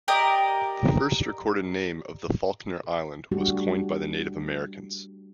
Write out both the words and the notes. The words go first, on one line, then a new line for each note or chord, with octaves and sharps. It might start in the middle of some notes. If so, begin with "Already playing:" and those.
The first recorded name of the Falkner Island was coined by the Native Americans.
G4 A#4 D5 D#5
G3 A3 D4 F#4 G4